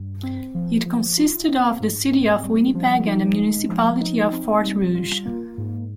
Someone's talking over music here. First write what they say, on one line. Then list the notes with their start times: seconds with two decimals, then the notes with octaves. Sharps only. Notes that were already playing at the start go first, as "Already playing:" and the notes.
It consisted of the city of Winnipeg and the municipality of Fort Rouge.
Already playing: G2
0.23 C4
0.55 F3
0.86 F3
1.18 F4
1.49 C4
1.80 G#2
2.12 C4
2.43 G3
2.75 F3
3.07 D#4
3.38 G#3
3.69 F3
4.01 D#4
4.32 C4
4.63 G3
4.95 F4
5.25 A#3
5.58 G#2